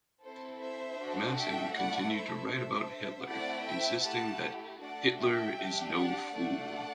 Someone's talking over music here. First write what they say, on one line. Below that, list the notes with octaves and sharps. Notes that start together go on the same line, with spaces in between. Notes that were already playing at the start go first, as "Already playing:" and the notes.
Massing continued to write about Hitler insisting that "Hitler is no Fool!".
C4 E4 A4 C5
C5 E5
D4 F#4 A4
E5 G5
A3 E4 A4 D5 F#5
C5 E5
D4 A4 C5 E5
A3 C4 E4 D5 F#5
E5 G5
A3 E4 G4 F#5 A5
A3 D4 F#4 A4 D5 F#5
E5 G5
D4 G4
D5 F#5
A3 D4 A4 D5 F#5